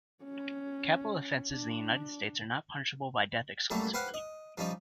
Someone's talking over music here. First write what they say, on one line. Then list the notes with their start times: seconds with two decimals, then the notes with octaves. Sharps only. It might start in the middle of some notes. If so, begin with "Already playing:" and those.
Capital offenses in the United States are not punishable by death exclusively.
0.24 C#4
1.52 D4
3.70 F#2 F#3 G3 A3 A#3
3.93 G4 B4 C5 F5 F#5
4.14 D#5
4.58 F3 G3 C#4 D#4